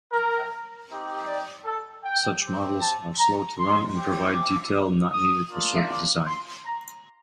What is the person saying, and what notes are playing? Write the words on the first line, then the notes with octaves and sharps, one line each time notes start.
Such models are slow to run and provide detail not needed for circuit design.
A#4
C4 D#4 G4
D5
A4
G5
C4 G4
A5
A#5
C6
C4 G4
D6
D#6
A#3 D4 F4
D6
C6
A#5